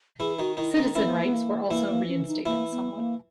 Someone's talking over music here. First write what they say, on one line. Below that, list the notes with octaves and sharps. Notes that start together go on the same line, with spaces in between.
Citizen rights were also reinstated somewhat.
E3 E4 G#4
D#3 D#4 F#4
D#3 D#4 E4
D#3 C#4 D#4
E3 C#4 E4
B3
A#3
B3
A#3
E3 A#3 E4
A#3
C#4
D#4
E3 A#3 E4
B3
A#3